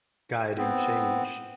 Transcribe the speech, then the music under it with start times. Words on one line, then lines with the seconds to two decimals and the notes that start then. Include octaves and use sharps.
guiding change,
0.57 B3 C4